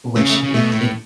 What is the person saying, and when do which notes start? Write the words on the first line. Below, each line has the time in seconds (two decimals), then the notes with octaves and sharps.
which it it
0.16 C#3 A3
0.29 A3
0.43 C#3
0.54 B2 A3
0.73 A2